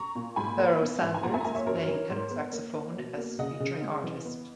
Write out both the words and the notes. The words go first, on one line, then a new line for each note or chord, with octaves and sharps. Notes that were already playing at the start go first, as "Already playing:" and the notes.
Pharoah Sanders is playing tenor saxophone as featuring artist.
Already playing: A#5 C#6
A#2
G#2 G#5 B5
A#3
B3
G#2
G#5
A#2 F#5 A#5
E5 G#5
A#5
A#3 E5 G#5
C#5 E5
F#2 A#4 C#5
E3
G#2
B3
A#3
A#3
B2
A#3
C#3 D#5 F#5
C#3
G#3
E3
B3